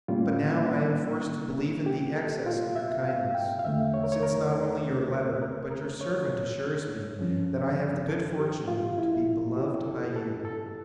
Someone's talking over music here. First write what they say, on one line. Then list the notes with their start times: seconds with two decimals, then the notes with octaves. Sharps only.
But now I am forced to believe in the excess of your kindness, since not only your letter but your servant assures me that I have the good fortune to be beloved by you.
0.08 A2 G3 A#3 C#4 F4
1.86 G4
2.16 A4
2.46 F4
2.76 E5
3.05 F5
3.35 G5
3.59 F5
3.64 E2 D3 A3 E5
3.94 C#5
4.04 A#4
4.12 C#5
4.23 A#4
4.52 A4
5.42 A#4
5.71 A#4
6.01 C#5
7.19 G2 F3 C#4
8.09 A4
8.38 G4
8.68 F4
8.98 E4
9.56 G4
9.86 A4
10.16 A4
10.45 A4